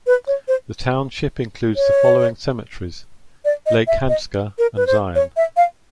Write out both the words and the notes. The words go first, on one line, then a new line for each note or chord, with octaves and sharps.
The township includes the following cemeteries: Lake Hanska and Zion.
B4
C#5
C5
C#5
D5
D#5
E5
D#5
A#4
B4
C5
C#5
E5
F5